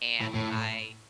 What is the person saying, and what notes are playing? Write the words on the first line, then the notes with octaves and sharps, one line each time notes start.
And I
A2
A2